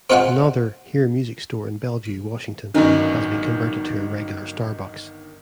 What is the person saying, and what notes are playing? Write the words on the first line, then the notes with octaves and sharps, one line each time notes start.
Another Hear Music store in Bellevue, Washington has been converted to a regular Starbucks.
C4 D#4 F4 F#5 G#5
G1 D#3 F#3 C#4 D#4